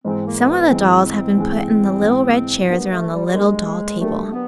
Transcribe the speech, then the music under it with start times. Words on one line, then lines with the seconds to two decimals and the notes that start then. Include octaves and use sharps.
Some of the dolls had been put in the little red chairs around the little doll table.
0.05 G#2 E3 G#3 C4
0.26 A#3
0.39 A#3
0.48 B3
0.70 G#2 E3 G#3 C4
1.36 G#2 E3 G#3
2.02 G#2 E3 G#3
2.68 F#3 A#3 B3 D4 G4 A#4
2.90 A3
3.12 G3
3.26 G3
3.33 F#3 G#3 A#3 D4 G4 A#4
3.99 F#3 A3 A#3 D4 G4 A#4
4.32 B3